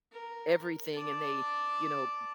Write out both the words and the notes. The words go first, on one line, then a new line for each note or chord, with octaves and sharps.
everything and they, you know
A#4
D5 A5